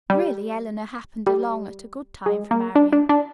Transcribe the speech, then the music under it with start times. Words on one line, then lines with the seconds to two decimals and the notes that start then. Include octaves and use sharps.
"Really, Eleanor happened along at a good time for Marian."
0.10 G3
1.27 G3
2.26 G#3
2.51 A#3
2.75 D4
2.93 D4
3.09 D4